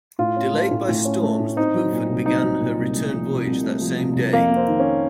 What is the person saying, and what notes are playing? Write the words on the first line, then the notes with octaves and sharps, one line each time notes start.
Delayed by storms, the "Buford" began her return voyage that same day.
A2 F4
C#4
A3
A2
A2
C#4
A3
A2
C4 D#4
F#3
A#2
C2
C4 D#4
F#3
A#2
C2
A3
F3
C3
C2
A3
F3
C3
C2
F2 A#3
A#3
C4
D#3
C#4